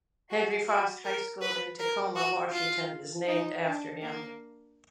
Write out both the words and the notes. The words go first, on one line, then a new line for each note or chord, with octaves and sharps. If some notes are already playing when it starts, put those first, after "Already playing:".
Henry Foss High School in Tacoma, Washington is named after him.
F#4
F#4
A#4
B4
A#4
F#4
F4
D#4
D4
A#3